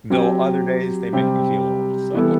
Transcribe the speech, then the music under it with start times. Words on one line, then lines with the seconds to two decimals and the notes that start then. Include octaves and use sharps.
Though other days they make me feel old, so
0.10 F#3 C4 G4
1.13 C3 G3 C4 G4
2.14 E3 G3 B3 E4 A4